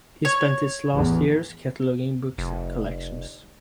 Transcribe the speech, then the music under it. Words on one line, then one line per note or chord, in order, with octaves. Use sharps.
He spent his last years cataloging book collections.
C#5
A1 E2
F1